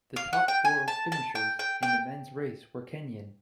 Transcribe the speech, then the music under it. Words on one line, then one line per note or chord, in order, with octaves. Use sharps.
The top four finishers in the men's race were Kenyan.
F5
F#5
G5
G#5
A5
A5
G5
G5
G5